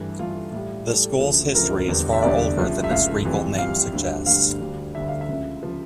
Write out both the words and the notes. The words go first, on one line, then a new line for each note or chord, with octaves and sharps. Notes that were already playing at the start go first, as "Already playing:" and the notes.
The school's history is far older than its regal name suggests.
Already playing: G2 E3 A3
G2 E3 A3 F4
A2 G3
A2 G3 A4
D2 C#3 F3 A3
D2 C#3 F3 A3 A#4
E2 D3 G3
E5
E2 D3 G3 D5
C#2 C#3 F3 A3
E5
C#2 C#3 F3 A3 F5
F2 E3 G3
F2 E3 G3 F5
D2 D3 G3
D2 D3 G3 F5
D2 D3 G3
D2 D3 G3 E5
F5
E5
C#2 C#3 F3
C#3 F3